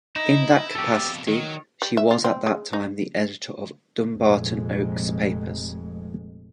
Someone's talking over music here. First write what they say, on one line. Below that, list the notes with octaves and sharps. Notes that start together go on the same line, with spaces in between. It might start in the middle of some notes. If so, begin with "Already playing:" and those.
In that capacity, she was at that time the editor of Dumbarton Oaks Papers.
D#4 E4
F2 B2 G4 A4
D#3 F#3
G3
E5
F4
C4
G#3
D#4
F1 F2 A#2 G#3